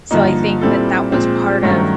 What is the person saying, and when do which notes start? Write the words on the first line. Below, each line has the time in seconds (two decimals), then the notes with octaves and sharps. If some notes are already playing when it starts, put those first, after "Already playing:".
so I think that that was part of
0.11 G2 D3 F3 A#3 D#4
0.61 A#2 G3 C4 E4 A4
1.12 A#2 F3 G#3 C4
1.63 G2 D#3 F#3 A3 C#4